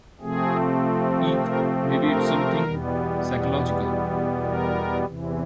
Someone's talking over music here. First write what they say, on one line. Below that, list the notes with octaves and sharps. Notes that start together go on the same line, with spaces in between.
Eek! Maybe it’s something psychological?
C3 F3 A3 C4 G#4
A#4
A#4
E2 B2 G3 B3
A#4
E2 C3 E3